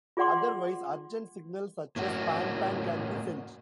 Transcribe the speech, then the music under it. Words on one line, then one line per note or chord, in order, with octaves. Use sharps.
Otherwise, urgent signals such as pan-pan can be sent.
F4 G#4 D5 F#5 C6 D6
A2 A#3 C#4 F#4